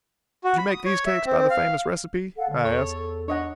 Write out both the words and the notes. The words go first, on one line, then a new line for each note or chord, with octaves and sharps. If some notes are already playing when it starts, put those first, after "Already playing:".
"Did you make these cakes by the famous recipe?" I asked.
F#4
B5
D#6
C#5
E5
C4
C4
F5
A4 F5 F#5
D3 A4
E2 C#5
D4 C#5 D#5 F#5